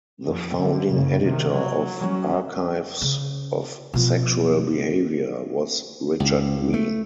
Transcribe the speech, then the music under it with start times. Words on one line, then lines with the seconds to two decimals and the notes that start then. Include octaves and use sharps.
The founding editor of "Archives of Sexual Behavior" was Richard Green.
0.27 F2
0.56 D3
0.90 F#1 C#3
1.23 C3 D#3
1.55 F#3
2.00 F#3 C#4
3.02 C#3
3.94 B2 F3
6.20 C#2
6.74 A3